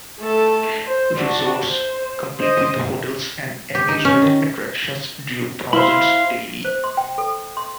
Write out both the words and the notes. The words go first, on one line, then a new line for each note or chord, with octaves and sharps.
Resorts, complete with hotels and amusement attractions, drew thousands daily.
A3 A4
C5
D4 F#4
C5
C5 D#5
G4
D#4
C#4
D#3
E4 C5 F5 B5 C6
C5
C6
G5
A4
C6